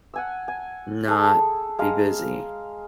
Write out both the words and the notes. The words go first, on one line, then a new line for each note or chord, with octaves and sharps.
not be busy,
F#5 G#5 E6
G#5
G#4 A4
G#3 F5 A#5